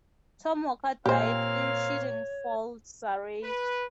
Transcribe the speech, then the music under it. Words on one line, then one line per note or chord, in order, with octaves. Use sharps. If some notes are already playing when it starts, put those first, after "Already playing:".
Tom Walker died in Chiddingfold, Surrey.
A#2 A#3 C4 G4 C5 C#5 F5
B4